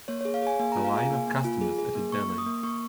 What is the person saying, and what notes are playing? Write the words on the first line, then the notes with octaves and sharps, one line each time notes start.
A line of customers at a deli.
A#3 C#5
G#4 C#5
F5
G#4 G#5
A#3 G#5
F4 A#5
F5
G#4 G#5
A#3
A#3
F4
G#4
G#4
A#3
A#3 C#6
A#3
D#6
A#3
A#3 C#6